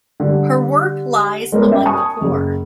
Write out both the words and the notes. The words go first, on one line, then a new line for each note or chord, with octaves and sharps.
Her work lies among the poor.
D3 G3
G#3 B3 A#4 C#5
C#4 E5 G5
G#5 A5 C#6 D#6
F#1